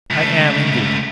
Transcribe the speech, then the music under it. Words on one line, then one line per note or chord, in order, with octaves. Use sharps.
I am, indeed.
C#2 A3